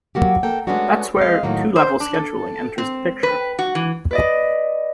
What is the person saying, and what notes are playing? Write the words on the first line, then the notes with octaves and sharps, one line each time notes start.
That is where two-level scheduling enters the picture.
F#3 A#3 F#4 G4
A#3 A4 G5
G#3 A3 B3 C#4 D4 F#4
G#3 C4 D#5 F5
A2 D#3 F#3 A#3
C5
D4
A4
C4
B4
F#4
E3
B4 D5 D#5